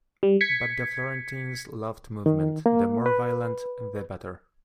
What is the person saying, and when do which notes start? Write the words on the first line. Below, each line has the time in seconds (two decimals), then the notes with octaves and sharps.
But the Florentines loved movement, the more violent the better.
0.23 G3
0.41 G#6 B6 C#7
2.26 D#3
2.66 A#3
3.06 B4